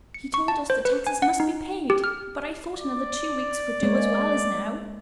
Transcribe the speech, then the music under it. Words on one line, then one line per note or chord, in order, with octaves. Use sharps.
He told us the taxes must be paid, but I thought another two weeks would do as well as now.
C#7
C#6
A5
C5
B4
G#5
F#5
D#4
G4
F6
D5
G#3 A#3 C#5